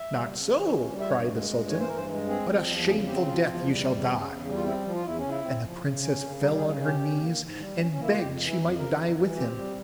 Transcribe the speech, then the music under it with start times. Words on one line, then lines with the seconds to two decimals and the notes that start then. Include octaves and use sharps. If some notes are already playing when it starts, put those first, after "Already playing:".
'Not so!' cried the sultan, 'but a shameful death you shall die!' And the princess fell on her knees, and begged she might die with him.
Already playing: E5
0.11 G3
0.32 C#3
0.51 E3
0.70 C#4
0.90 G3
1.00 E5
1.09 G2 C#5
1.30 G#3
1.50 G2
1.69 E3 C#5
1.79 C5
1.88 G2 A#4
1.97 C5
2.08 G#3
2.28 C4 G#4
2.48 F3
2.67 E2
2.86 C#3 G#4
3.07 C4 G4
3.26 F3 F4
3.46 E2
3.66 G3
3.86 E2
4.05 C#3
4.24 E2
4.45 G3
4.55 F4
4.64 C4 E4
4.83 F3
4.94 F4
5.03 E2 E4
5.18 C#4
5.23 C#3
5.29 E4
5.43 C4
5.63 F3
5.82 C#3
6.02 C#4
6.22 C#3
6.41 G3 A#4
6.57 G#4
6.62 C#3
6.81 C#4 G4
7.00 C#4
7.20 A#3
7.40 G#2
7.60 G3
7.79 C#4
7.91 C#4
7.99 A#3 E4
8.09 F4
8.19 F2 G4
8.39 E3
8.49 E4
8.58 F2
8.78 C#3 A#4
8.97 F2
9.17 E3
9.36 C4 G4
9.57 G3